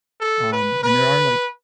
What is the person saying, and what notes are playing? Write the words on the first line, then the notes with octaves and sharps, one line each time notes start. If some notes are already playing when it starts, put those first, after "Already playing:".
um, and there are, like
A4
B4
B4